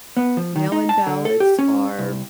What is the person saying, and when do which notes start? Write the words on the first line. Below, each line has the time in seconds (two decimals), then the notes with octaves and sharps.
mail-in ballots are
0.17 B3
0.37 F3
0.56 D#3
0.72 D#4
0.89 A5
1.07 D3
1.25 A4
1.40 G4
1.59 C#4
1.99 C2